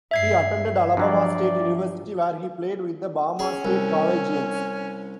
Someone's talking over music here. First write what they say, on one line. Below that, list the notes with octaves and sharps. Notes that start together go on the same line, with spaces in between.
He attended Alabama State University, where he played with the Bama State Collegians.
G2 E5 G#6 C7
G2 F3 F#3 D5
C#4 G#4
C2